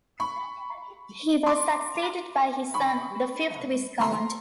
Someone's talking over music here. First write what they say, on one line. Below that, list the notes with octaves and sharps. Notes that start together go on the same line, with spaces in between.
He was succeeded by his son, the fifth Viscount.
B5 C#6
C6 D6
B5 C#6
A#5 C6